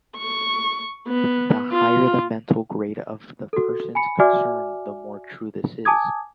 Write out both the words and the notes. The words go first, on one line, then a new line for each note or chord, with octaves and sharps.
The higher the mental grade of the persons concerned, the more true this is.
C#6
B3
F4
F#4 A4
G#5 B5 C#7
F#4 D5 E5 G#5 D6 F6
G#5 A5 D6 D#6 G#6